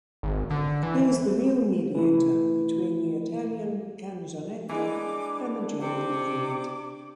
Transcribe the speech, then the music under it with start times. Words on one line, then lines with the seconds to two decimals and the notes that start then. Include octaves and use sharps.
He is the real mediator between the Italian canzonetta and the German Lied.
0.23 G#1
0.50 D3
0.83 E3
1.95 E3 A3 E4
4.69 E3 G#3 D4 D6
5.81 C3 D6